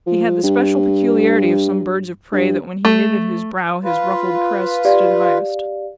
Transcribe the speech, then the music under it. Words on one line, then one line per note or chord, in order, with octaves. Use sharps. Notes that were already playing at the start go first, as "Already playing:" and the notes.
He had the special peculiarity of some birds of prey, that when he knitted his brow, his ruffled crest stood highest.
F3
G2
G2
A3
F4 B4
G4 D5 F5